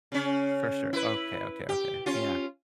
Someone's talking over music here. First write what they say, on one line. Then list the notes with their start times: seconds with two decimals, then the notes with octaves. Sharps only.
For sure. Okay, okay, okay. Yeah.
0.12 C#3 C#4
0.93 E4 B4
1.69 G4
2.06 C#4 F4